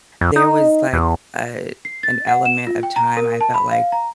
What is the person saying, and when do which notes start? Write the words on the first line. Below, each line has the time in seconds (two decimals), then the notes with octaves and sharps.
there was, like, a an element of time I felt like
0.21 F2
0.36 D#4
0.93 E2
1.85 C7
2.03 A6
2.28 F#5
2.45 E7
2.67 F4
2.83 G5
2.96 A#5
3.17 A#4
3.41 A5
3.54 B5
3.71 F5
3.92 A#5